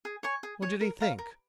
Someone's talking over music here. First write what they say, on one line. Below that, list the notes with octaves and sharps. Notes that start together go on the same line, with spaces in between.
What did he think?
G#4
C#5 G#5 C#6
G#4
C#5 G#5 C#6
A#4
F5 A#5
A#4